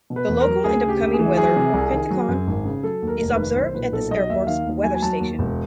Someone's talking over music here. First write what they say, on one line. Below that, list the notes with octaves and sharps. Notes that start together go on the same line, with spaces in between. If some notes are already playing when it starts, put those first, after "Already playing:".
The local and upcoming weather of Penticton is observed at this airport's weather station.
B2
B4
E2
A#4
F#3
D2 G#4
C#3
G4
D2
G#4
E3
F#3 G#4
C3
C2
D#3
F#3
F#2
G#1
C#3
F#3 A4
D#2
A#4
F1
B4
D#3
B1 C5
A#2 B4
B1 A4
F#3 D#5
D#2 E5
D#3 F5
D#2
F#3 G#5
G#5
F#3 A5
D#2
E1